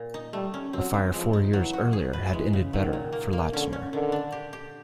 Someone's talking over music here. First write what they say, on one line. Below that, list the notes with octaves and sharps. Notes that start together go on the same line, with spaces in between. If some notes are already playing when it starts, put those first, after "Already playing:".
A fire four years earlier had ended better for Lattner.
Already playing: A#2
D#4
G3 A3
C#4
F#3 C4
E3
F3 G#3
D#4
E3 F#3
F#4
G#4
B4
E3 G#3
C#3
D#3 F#3
A#2
A#3
A#3
D3 C#4
C#4
D3 D#3
D4
G4
G4